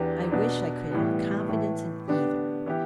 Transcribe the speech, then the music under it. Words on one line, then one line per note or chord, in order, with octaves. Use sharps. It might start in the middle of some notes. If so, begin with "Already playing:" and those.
I wish I could have confidence in either.'
Already playing: E2 E3 B3 D4 G4
B2 B3 D4
A2 E3 G3 B3
A2 E3 A3
D3 B3 D4 G4
E3 B3 E4 G4